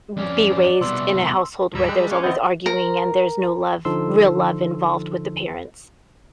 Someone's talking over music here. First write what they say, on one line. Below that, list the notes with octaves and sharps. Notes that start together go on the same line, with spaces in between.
n be raised in a household where there's always arguing and there's no love real love involved with the parents."
F2 C#4 D5
C2 B2 C6 E6
D2 G#2 G3 A#5 B5 E6 G#6
G#3 G#4 G5 F#6
C#4 F5 C#6 D6
E3 B3 C4 D#5 E5 G6
A#4
D3 F3 D#4 A4 C6 E6